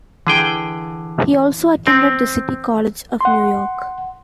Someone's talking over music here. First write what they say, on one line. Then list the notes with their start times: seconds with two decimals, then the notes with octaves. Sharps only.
He also attended the City College of New York.
0.27 D3 E3 G#4 G5
1.87 C4
3.21 F#5 C6